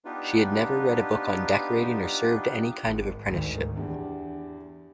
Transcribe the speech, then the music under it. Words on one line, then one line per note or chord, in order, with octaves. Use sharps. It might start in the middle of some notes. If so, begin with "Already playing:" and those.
She had never read a book on decorating or served any kind of apprenticeship.
B3 D4 D#4 F4 G4 B4
G#1
D2 G#2 D#3
E2 D4 E4 G4